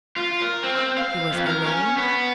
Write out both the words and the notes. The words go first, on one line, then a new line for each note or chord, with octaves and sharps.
He was alone.
F4
A#4
C4
C4
F5
F2
A#4
C#4
B3